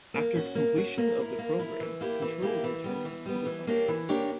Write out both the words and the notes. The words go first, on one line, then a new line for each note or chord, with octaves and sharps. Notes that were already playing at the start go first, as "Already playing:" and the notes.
After completion of the program, control returns to the virus.
A#3
C#4 F#4
A#3
C#4 F#4
A#3
E4 A#4
A#3
E4 A#4
E3
A#3 E4 G4
E3
A#3 E4 G4
E3
G3 B3
E3
G3 B3
E3
A#3 D4 G4 C#5
E3
A#3 D4 G4 C#5